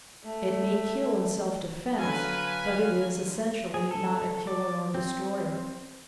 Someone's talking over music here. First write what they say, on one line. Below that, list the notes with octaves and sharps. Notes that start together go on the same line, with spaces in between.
It may kill in self-defense, but it is essentially not a killer or destroyer.
A3
D3 F#3 B4 F5 G#5
G#4
A4
D5
C4